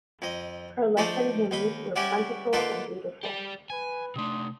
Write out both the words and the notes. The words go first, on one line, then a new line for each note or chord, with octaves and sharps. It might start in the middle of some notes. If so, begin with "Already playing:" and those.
Her lesson hymns were plentiful and beautiful.
F2 D#5
F3 A3 D4 D#4 D5 D#5
D#2 D#5 B5
G3 C#4 E4 C#5 D5 F#5
D3 A#3 D#4 F4 A4 B4
G4 D5
B4 G#5
C3 A3 D4 C6 D#6